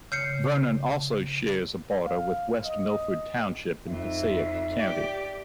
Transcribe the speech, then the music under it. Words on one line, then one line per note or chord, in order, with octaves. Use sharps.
Vernon also shares a border with West Milford Township in Passaic County.
C#3 G6 C7 C#7
F5
D#5
F2 D#4 E5
G4 D5